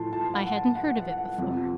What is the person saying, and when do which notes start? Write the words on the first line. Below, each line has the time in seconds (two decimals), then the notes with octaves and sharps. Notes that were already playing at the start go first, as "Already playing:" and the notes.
I hadn't heard of it before.'
Already playing: A2 F3 A5 C6
0.13 A5
0.34 F#5
0.55 A5
0.75 F#5
0.97 F#5
1.18 F#5
1.38 F2 C3 F3